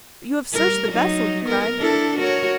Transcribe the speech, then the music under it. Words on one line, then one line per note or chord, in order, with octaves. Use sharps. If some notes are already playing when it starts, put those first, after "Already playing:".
"But you have searched the vessel?" he cried.
G3 A#4
F#3 D#4
B3 A#4
D4 E4 A4
F#4 A#4 C#5